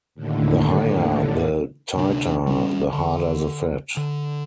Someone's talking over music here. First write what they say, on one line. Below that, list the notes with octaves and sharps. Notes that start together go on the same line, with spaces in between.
The higher the titer, the harder the fat.
D#2 A2 D3
D2 C3 B3 D4
G3 A#3 C#4
D3
D3